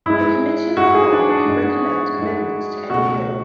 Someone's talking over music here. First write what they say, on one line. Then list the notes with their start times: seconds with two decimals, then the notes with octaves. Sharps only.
The Committee of the Whole can recommend amendments to any bill.
0.06 G#2 G#3 E4
0.77 G#2 G#3 F#4
0.95 G#4
1.13 D4
1.30 D4
1.48 G#2 G#3
2.19 G#2 G#3
2.90 C#2 B2 A3 F#4